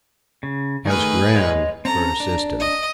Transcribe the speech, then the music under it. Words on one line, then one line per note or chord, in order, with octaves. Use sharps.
He has Gran for assistant.
C#3
D#3 A3 G#4 B4 F6
G#3 C#5 D#5
C4 C#4 A4 A#5
D4
D#5